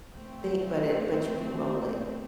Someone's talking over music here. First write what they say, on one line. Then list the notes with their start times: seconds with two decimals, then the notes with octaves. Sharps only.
thing, but it but you can roll it.
0.14 A3 C4